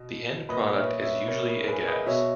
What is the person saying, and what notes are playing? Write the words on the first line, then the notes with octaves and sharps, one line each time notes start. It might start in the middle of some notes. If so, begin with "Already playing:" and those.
The end product is usually a gas.
Already playing: B2
A#2 B4 D#5
C#5 E5
C#5 E5
A#4 C#5
A#4
A#4
G#4 B4
B4 D#5
B2 C#5 E5